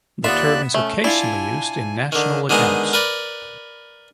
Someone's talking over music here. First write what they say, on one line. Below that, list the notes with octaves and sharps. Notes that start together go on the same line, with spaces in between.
The term is occasionally used in national accounts.
D#2 B3 F4 D5 E5 F#6
A3 C#4
D4 E4 F4 G#5
D3 D#3
D3 D#3 G#3 B3 D#4
A#4 B4 D5